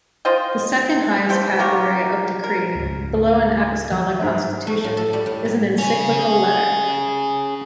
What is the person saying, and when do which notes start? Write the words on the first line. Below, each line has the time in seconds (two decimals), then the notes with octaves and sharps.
The second highest category of decree, below an apostolic constitution, is an encyclical letter.
0.25 F4 C5 D#5 G5
1.29 E3 F3 G5
1.59 A#3 F#4 G4 A#4
2.44 A#4
2.75 C#2 G#2
3.91 F3 F#3
4.19 G#2 C5 E5
4.67 A3
4.84 A2
4.97 A4
5.13 G3
5.26 A2
5.45 C3
5.78 C#4 G#4